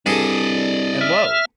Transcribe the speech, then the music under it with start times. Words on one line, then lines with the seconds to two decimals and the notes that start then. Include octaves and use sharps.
And lo!
0.06 C2 G2 G#4 A4 D5 D#5
1.01 E5 F6